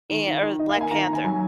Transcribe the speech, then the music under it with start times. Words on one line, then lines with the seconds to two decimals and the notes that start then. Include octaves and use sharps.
and or Black Panther.
0.10 D#3
0.26 D#3
0.43 D#3
0.59 D#3 D#5
0.69 F5
0.76 A#3
0.81 G#5
0.91 D#3 A#5
1.02 A#5
1.08 D#3 G#5
1.24 F#3 G#5